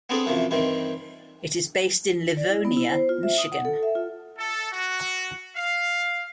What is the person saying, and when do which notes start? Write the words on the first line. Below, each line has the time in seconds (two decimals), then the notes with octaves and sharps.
It is based in Livonia, Michigan.
0.09 B3 C4 D4 G#4 A4 B4
0.26 F#2 C3 E3 F3
0.51 G2 D#3 E3 C4
2.37 D5
2.49 E4
2.65 B3
2.77 E4
2.90 C5
3.09 F4
3.23 E5
3.38 D#6
3.52 F#5
3.65 A4
3.83 E5
3.95 F4
4.38 A4
4.72 F#4
5.56 F5